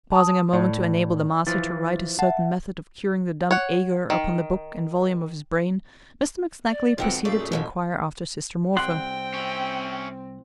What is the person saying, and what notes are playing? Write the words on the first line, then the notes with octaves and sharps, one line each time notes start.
Pausing a moment to enable the master to write his certain method of curing the dumb "ager" upon the book and volume of his brain, Mr. McSnagley proceeded to inquire after Sister Morpher.
A5 D#6
A2 D5
E3 F3 A6
E5 F#5 A5
C#5 F#5
D#3
D5
G#2 B2 D3 F3 C4 F#5 G5
F#2 A#2 A3 D5 F5
G#4
B2 F3 G#3
C2 C4 F#5 G5 C6
C#4 E4